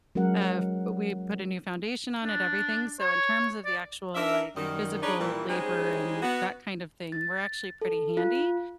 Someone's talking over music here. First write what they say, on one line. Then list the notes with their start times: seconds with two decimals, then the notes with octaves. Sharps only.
uh, f we put a new foundation on it, everything, so in terms of the actual, like, physical labor and that kind of thing, we're actually pretty handy,
0.15 F#3 G#3 C#4 A#4 F#5
2.25 D4
3.00 C#5
3.65 D5
4.15 D4 D#4 A#4 E5
4.56 F#2 D#3 G3
5.02 D4 D#4 G#4 B4 C#5 D5
5.19 A#2 E3 G3
5.49 G3 G#3 C4 C#4 D#4 G#4
6.23 B3 F#4
7.12 A6
7.81 A4
8.17 F4